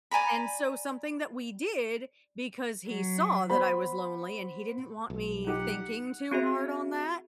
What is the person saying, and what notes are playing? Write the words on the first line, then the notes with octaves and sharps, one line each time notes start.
and so something that we did because he saw that I was lonely and he didn't want me thinking too hard on that,
D5 G#5 A#5 B5
F#3
B3 C5 B5
B1
D#4 G4 F#5
C4 F#4 G#4 E5